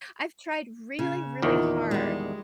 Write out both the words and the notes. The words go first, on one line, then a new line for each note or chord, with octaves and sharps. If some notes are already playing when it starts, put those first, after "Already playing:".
I've tried really, really hard
C#3
E2 A#2 D#3 F4 A#4
G3 G#3